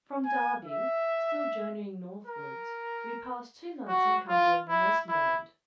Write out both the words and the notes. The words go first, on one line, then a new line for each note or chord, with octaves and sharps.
From Derby, still journeying northwards, we passed two months in Cumberland and Westmorland.
G#5
E5
A#4
F#4
F4
E4
E4